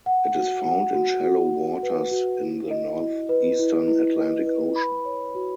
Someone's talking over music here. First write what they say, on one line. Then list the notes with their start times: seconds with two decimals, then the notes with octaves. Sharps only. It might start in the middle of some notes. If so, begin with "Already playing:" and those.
It is found in shallow waters in the northeastern Atlantic Ocean.
0.06 F#5
0.35 F#4
0.65 F#5
0.94 F#4
1.24 F#4
1.54 F#4
1.83 B4
2.11 F#4
2.41 E4
2.71 D#5
3.01 E4
3.29 B4
3.59 E4
3.88 E4
4.17 D#5
4.47 B4
4.76 B5
5.05 C#5
5.35 F#4